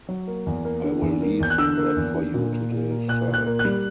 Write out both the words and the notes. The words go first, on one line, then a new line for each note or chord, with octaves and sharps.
I will leave that for you to decide.
F#3
A#3
E2
A#3
D3
E2
A#3
E2 G6
F#6
D3 E6
A#3
E2
D3
A#2
A#3
A#2
A#3
A#2 F#6
A#2
F#6
A#3
F#6
G3